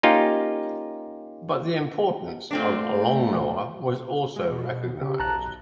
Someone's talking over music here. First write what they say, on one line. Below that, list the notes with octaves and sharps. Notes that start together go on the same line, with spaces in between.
But the importance of Longnor was also recognised.
A#3 C#4 D#4 F4 G4
A#2 A3 C4 D4
G#3
B2
C#3 G4
B1 A5 A#5 F#6